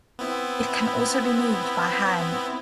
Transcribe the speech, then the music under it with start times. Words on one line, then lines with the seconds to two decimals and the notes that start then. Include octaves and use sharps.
It can also be moved by hand.
0.19 B3 C4 E4